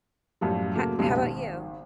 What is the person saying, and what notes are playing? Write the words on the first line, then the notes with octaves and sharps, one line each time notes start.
Ho how 'bout you?
F#2 A2 F3 G3
C#3 F#3 A3 A#3
B1 F2 A#2 C#3 G3 G#3
G#1